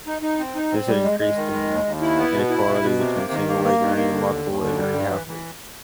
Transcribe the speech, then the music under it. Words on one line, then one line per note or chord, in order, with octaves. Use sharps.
This had increased the inequality between single wage earning and multiple wage earning households.
D#4
D#4
C4
D#4
C4
G3
G#3
G#3
D#3
G#3
D#2
D#2
E4
B3
B2
E4
B2
B2
C3
A#3
D#3
A#3
A#3
D#3
A#3
D3
D#2
D#2
D3
G3
G2
E3
E3